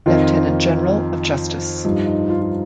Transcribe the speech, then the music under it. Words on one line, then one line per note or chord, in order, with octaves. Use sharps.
Lieutenant General of Justice.
F2 D#3 F4
G2 F3 D#4
D#4
F4
F4